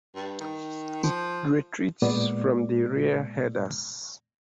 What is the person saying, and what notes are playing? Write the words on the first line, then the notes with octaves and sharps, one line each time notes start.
It retreats from the rear headers.
G2
D#3
F3
A#2 G#3 B3 D5